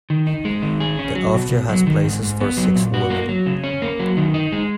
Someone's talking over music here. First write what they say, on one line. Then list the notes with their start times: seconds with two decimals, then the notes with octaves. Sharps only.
The hofje has places for six women.
0.10 D#3
0.27 D#4
0.45 G#3
0.62 D#3
0.80 G#4
0.99 C#4
1.15 F#3
1.34 B2
1.51 B2
1.69 F#3
1.87 D#3
2.04 G#2
2.23 G#2
2.41 B3
2.57 F#3
2.76 A#2
2.94 F#4
3.10 A#3
3.29 F#3
3.46 C#3
3.64 C#4
3.82 A#3
4.00 F#3
4.17 D#3
4.34 D#4
4.52 G#3